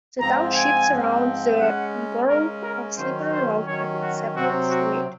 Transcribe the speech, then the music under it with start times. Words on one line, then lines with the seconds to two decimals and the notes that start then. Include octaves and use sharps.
The township surrounds the borough of Slippery Rock but is separate from it.
0.20 G#2 F3 C4 A#5
0.55 G#5
0.90 G#2 F3 C4
1.58 C#3 G#3 C#4 F#5
2.28 C#3 G#3 C#4 A#4
2.63 A#4
2.97 D#3 F#3 C#4 C5
3.32 C5
3.67 D#3 F#3 C#4 C#5
4.01 F#4
4.36 C3 F#3 C4 F#4
4.70 F#4